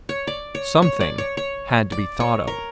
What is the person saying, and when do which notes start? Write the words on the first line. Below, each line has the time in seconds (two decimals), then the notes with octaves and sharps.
Something had to be thought of.
0.09 C#5
0.27 D5
0.55 C#5
0.82 C#5
1.00 D5
1.18 C#5
1.37 C#5
1.92 D5
2.20 C#5
2.47 A#4